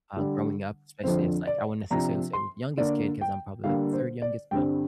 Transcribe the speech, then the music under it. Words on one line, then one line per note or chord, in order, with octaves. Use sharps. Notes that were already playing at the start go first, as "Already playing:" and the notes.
uh, growing up especially, it's like I wouldn't necessarily say the youngest kid 'cause I'm probably like the third youngest, but,
D3 G3 D4
F2 D3 F3 C4 C5
D5
C3 F3 D4 A#5
C6
D3 A#3 D4 D5
G5
D3 G3 A#3 F5
C5
D5
G2 D3 G3 C4 G5